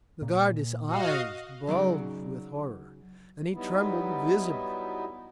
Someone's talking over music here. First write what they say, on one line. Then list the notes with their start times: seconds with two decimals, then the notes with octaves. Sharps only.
The guarde's eyes bulged with horror and he trembled visibly.
0.22 A#2
0.87 F#4 D#5 F5
1.67 C#3 F#3 D#4 D5
3.54 F#3 G3 B3 D#4 E4